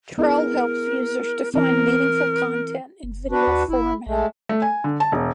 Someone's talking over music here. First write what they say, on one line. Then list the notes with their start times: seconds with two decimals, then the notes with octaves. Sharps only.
Trell helps users to find meaningful content in video format.
0.18 B3 E4 G#4 A#4
1.54 E3 C4 A#4
3.03 F#1
3.31 D4 F#4 B4
3.47 D#2
3.69 G1 E4
4.06 A#1 G#3 A3
4.49 A3
4.62 G#5
4.84 D3
5.00 A5
5.12 E1